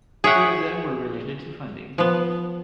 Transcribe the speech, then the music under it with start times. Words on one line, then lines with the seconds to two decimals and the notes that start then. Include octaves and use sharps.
Three of them were related to funding.
0.24 G#4 C#5 E5 F#5 G5
1.98 F3 B3